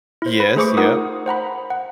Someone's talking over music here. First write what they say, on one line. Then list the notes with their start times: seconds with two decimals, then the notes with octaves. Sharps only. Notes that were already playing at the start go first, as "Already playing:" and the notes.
Yes, yep.
0.22 E4 C5
0.39 B4 B5
0.56 A3 G#4 C5 C#6 D6 C#7
0.77 D#4 F4 A#4 F#5 D#6
1.26 C5 F#5 A#5 B5
1.70 F#5